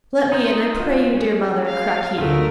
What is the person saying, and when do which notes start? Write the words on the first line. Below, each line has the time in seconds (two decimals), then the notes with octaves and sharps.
'Let me in, I pray you, dear mother,' cried he.
0.32 D#4 C6 G6
0.80 F4 F#4 C5
1.15 C#4 G#4
1.66 F5
2.18 D2 D3 F#3 G#3 A3 F4 A#4